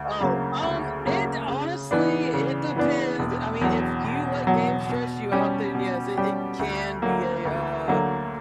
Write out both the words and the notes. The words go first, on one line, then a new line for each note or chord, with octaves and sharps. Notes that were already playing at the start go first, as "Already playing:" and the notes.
Oh, um, it honestly it depends. I mean, if you let games stress you out, then, yes, it it can be a, uh
Already playing: D2
C#3 F#3 A#3
D2
C#3 F#3 A#3
C#3
E3 B3 D4
C#3
E3 B3 D4
E1
E2 B2 F#3
E1
E2 B2 F#3
B2
G3 C#4 G4
B2
G3 C#4 G4
D2
D3 F#3 A#3
D2
D3 F#3 A#3